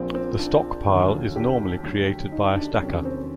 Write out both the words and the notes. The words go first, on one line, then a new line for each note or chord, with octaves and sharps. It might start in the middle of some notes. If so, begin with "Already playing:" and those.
The stockpile is normally created by a stacker.
Already playing: A#1 A#2 F3 C4
C4
D4
D#2 D3 F#3
G4
D2 D3 F#3
D#4
D4
E2 C3 D#3 F#3 C#4
C4